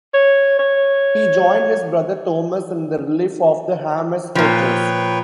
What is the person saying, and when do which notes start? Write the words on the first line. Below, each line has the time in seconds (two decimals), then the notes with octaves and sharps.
He joined his brother Thomas in the relief of the Hammes fortress.
0.14 C#5
0.59 C#5
4.35 A#2 F3 B4 C#5 G5